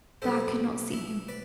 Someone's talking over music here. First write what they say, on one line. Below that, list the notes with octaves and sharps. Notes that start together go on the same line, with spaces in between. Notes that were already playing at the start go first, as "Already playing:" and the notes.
But I could not see him.
B1 B2 G3 A4 C5
E4
B4 D5